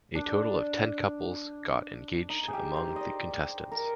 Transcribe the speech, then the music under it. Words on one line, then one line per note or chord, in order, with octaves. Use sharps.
A total of ten couples got engaged among the contestants.
D4
D#4
G#4
G4
C5
D5 D#5
A#4